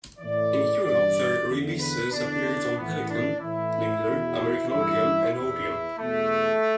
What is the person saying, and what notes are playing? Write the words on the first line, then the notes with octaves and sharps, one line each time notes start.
In Europe, their releases appeared on Pelican, Leader, American Odeon and Odeon.
A2 E3 D5
G2 E3 D5
E2 D3
B4
E2 D3 D4
A2 E3 B3
D4
A2 E3 E4
E2 B2
G2 E3 E4
E2 E3 E4
E2 B2 A3